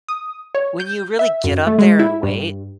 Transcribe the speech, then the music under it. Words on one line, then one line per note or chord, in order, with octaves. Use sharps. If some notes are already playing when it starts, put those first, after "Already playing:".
when you really get up there in weight,
D#6
C#5
G6
E5
F#2
A3
G#3
E4
G2